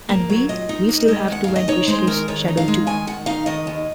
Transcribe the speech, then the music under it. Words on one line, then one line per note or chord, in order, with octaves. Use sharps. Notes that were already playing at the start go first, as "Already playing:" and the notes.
And we - we still have to vanquish his shadow, too.
A#3
F#3
A#2 D#5
D#4
A#3
G#3 D#5
D#3 F#5
D#3 F5
D#5
D#4 C#5
G#3 C5
D#3 A#4
D#3 C#5
D#4
F5
G#3
D#3 G#5
D#3 F#5
D#4 F5
D#3 D#5
D#2